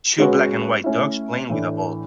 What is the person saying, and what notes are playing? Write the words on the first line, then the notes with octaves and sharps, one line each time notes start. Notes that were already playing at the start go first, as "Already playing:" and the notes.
Two black and white dogs playing with a ball.
G#3 C#4 F#4 B4
A3 C#4 E4
A2 E3 A3 D4